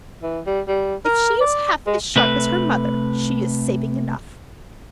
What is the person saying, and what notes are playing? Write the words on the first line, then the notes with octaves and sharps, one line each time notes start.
If she is half as sharp as her mother, she is saving enough.
E3
G3
G3
A#4
D5
G#3
C3 A3 B4